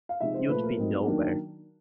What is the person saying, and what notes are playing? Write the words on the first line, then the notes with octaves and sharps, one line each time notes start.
You’d be nowhere.
F5
C3 F3 G#3 C4 D#4 E5
C5
A#2 F3 A3 B4
A#4
F#3 A3 C4 D#4
D#3 F#3 A#3 D4